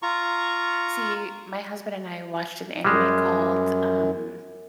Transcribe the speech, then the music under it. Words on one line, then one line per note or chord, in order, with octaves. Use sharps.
See, my husband and I watched an anime called, um,
F4 A#5 C#6
F#2 G3 G#3